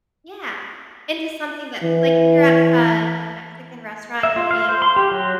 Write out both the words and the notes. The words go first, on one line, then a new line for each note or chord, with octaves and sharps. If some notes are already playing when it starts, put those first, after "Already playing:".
Yeah, into something that like, if you're at a a Mexican restaurant and you're eating,
E3
E5
F4
F5
C5
C6
G4
F#3